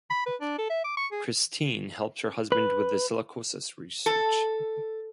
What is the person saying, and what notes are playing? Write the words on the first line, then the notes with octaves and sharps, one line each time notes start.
Christine helps her husband with his silicosis research.
B5
B4
D4
A4
E5
D6
C#6
G#4
B4
A4